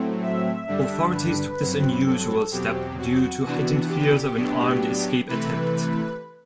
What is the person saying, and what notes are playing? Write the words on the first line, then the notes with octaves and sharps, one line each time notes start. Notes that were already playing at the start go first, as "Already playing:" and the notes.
Authorities took this unusual step due to heightened fears of an armed escape attempt.
Already playing: A2 F#3 A3 C4
E5
G2 D3 G3 D4
B4
G2 F#3 C4
A4
E2 B2 F#3 C4 G4
F#4
C3 E3 B3 D4 F#4
G4
A2 F#3 B3 D4
C3 E3 A3 B4